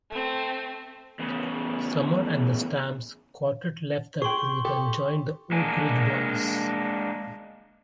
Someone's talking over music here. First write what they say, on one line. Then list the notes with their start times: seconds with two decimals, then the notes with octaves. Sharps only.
Sumner and the Stamps Quartet left that group and joined the Oak Ridge Boys.
0.10 A3 C4
1.19 E2 C#3
4.22 G#4 G5 C6 C#6
4.65 G4 A4
5.52 G#3 A#3 D4 G#5